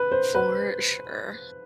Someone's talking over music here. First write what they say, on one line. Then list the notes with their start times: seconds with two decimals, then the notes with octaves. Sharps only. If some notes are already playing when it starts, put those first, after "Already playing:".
For sure.
Already playing: B4
0.12 C5
0.35 B4